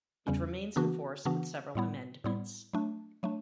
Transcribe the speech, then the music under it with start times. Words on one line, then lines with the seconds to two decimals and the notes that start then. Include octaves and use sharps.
It remains in force with several amendments.
0.27 E2 C#3 G3 C#4
0.76 C#3 E3 B3 D4 F#4
1.25 C#3 E3 B3 D4 F#4
1.75 A2 G3 B3 E4
2.24 A2 G3 B3 E4
2.73 F#3 A3 D4
3.23 F#3 A3 D4